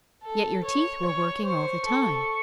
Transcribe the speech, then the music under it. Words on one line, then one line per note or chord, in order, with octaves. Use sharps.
Yet your teeth were working all the time.
A4
C#5
C#5
C5 C#6
A4